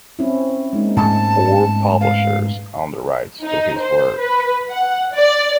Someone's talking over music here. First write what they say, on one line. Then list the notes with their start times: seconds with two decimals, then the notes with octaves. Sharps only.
Four publishers own the rights to his work.
0.19 C4 C#4 E4
0.73 G#3 A#3 D#4
0.97 G#2 A3 A5
2.01 B4 F5
3.44 D#4
3.79 C5
4.20 B4
4.70 F#5
5.15 D5